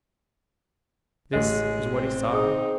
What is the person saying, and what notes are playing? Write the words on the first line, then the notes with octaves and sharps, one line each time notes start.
This is what he saw.
A1 G#3 D#5
C4
D#4 G#4 D#6